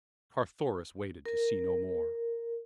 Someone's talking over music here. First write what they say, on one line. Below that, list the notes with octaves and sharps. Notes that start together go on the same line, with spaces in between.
Carthoris waited to see no more.
A#4